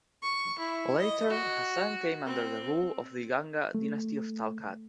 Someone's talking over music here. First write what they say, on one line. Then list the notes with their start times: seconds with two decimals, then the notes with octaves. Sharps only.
Later Hassan came under the rule of the Ganga Dynasty of Talkad.
0.23 C#6
0.59 E4
0.98 D#5
1.30 F#4
2.26 C4
3.75 A3